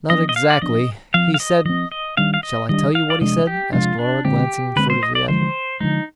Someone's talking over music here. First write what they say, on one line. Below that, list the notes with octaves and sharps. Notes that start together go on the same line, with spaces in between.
"Not exactly, he said--shall I tell you what he said?" asked Laura glancing furtively at him.
F3 B3 D4 D#5
D#5
F5
D5
F3 B3 D4 D#5
F3 C4 F5
F5
D#5
F3 C4 D#5
D#5
D#3 G3 D4 F5
F5
D#5
D#3 G3 D4 D#5
F5
D5
C3 F3 G#3 D4 D#5
G4
C3 F3 G#3 D4 F4
D4
D3 G#3 C4 G4
D3 G#3 C4 B4
C5
D#5
D5
D3 F3 G#3 C5
D3 F3 G#3 D#4